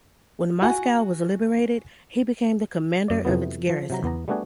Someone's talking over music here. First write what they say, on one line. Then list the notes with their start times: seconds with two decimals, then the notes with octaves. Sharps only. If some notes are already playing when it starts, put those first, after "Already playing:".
When Moscow was liberated, he became the commander of its garrison.
0.62 F#4 F#5 G#5
3.08 F#2 D5
3.25 F2 C3 E3 F#3 B3
3.69 F3
3.90 C3 F#3 A#5
4.03 E2 B3 A#5
4.28 G3 A3 B3 D4 F#4 G#4